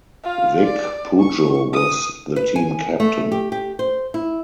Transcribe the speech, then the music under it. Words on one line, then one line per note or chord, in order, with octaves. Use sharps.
Vic Pujo was the team captain.
F4 F5
D5
C#6
D#6
B4
G#5
A3
G4
G4
C5
E4